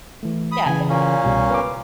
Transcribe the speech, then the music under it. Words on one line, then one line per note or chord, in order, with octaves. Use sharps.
yeah, it's kinda like that
E3 A3
B5 D#6
C#3 E3 G#5
A#2 A#3 C#4
C2 B2 G3
B4 D6